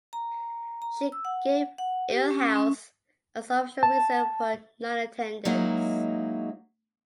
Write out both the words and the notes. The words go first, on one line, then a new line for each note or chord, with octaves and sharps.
She gave ill health as the official reason for her non-attendance.
A#5
A#5
E6
F#5
F#5
G4
C#4
C#4
A5
F#3 G#3 A#3 D#4 E4 F#4